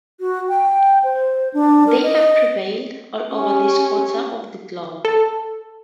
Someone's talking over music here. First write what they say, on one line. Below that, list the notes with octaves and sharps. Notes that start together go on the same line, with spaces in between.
They have prevailed all over this quarter of the globe.
F#4
G5
C5
D4
A#4
D#5
C#4 G4
A4